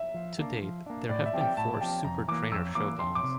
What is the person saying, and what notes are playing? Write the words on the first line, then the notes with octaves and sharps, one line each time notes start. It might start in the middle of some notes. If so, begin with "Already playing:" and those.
To date, there have been four Super Trainer Showdowns.
Already playing: E5
F3
A#3 D4
F3
A#3 D4
A2 D5
E5
F3 C4 G4
G5
A2 A5
F3 C4 G4 A5
F2 A#5
E3 A#3 D6
F2 E6
E3 A#3 D6
F2 C6
D6
C3